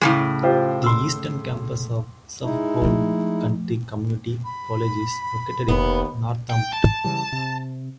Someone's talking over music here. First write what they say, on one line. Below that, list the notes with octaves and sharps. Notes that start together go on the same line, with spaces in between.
The Eastern Campus of Suffolk County Community College is located in Northampton.
A2 C#3 G#3
F4 G4 C5
C6 E6
G#3 D#4 E4
F3 A3
B5
F1 D#2 B3
G5
A5
C#3 E3 G3
C3